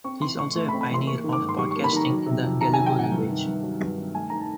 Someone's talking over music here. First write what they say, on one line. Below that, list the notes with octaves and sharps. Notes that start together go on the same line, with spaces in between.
He is also a pioneer of podcasting in the Galego language.
C4 C#6
E3 C6
A2 C#6
A3 C#6
B5
C4
B5
E3 C6
A#3 C#6
D#3
D6
G#2
C6
G3 C#6
A#3 C#6
B5
D#3 A#5
F#3
C3
F2
D#3 A#5
F#3 G#5
G5
C3 F#5
G2
D#3
G2
F#3
G2
D#3
A3 G#5
D#3 A#5
A5